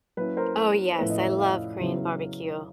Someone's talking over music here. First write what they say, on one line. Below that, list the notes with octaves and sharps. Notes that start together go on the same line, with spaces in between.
Oh, yes, I love Korean barbecue.
F#3 A#3 C#4 E4 B4
A#4 C5
C5
A2 F3 A3 C#4 E4 B4 C#5
D#5
D5 E5
D#5 F5
C#3 F#3 B3 E4